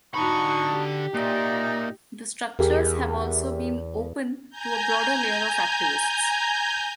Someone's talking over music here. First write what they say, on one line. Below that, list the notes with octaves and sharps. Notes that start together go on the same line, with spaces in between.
The structures have also been "open" to a broader layer of activists.
D3 D#4 F#4 A5 B5 C#6 D#6
G4
A#2 D#4 D5 E5 A#5
E2 G4 G#4 A#4
G#5 A#5 G6